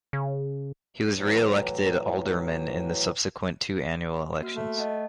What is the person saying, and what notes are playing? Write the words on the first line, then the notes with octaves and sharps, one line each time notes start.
He was re-elected alderman in the subsequent two annual elections.
C#3
A2 E3 F#3
A#3 F#4 F6
A3
D#5 F#5 A5